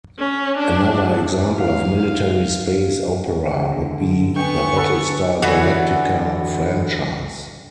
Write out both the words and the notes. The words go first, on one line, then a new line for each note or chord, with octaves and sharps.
Another example of military space opera would be the Battlestar Galactica franchise.
C#4
D4
F5
D3
B3 G5 G#5 C#6
A4 F#5 B5
D3 E3 B3 F#4